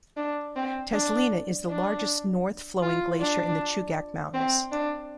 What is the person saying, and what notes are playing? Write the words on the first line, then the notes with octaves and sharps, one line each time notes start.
Tazlina is the largest north-flowing glacier in the Chugach Mountains.
D4
C4
D4
D4
F4
D4
C4
D4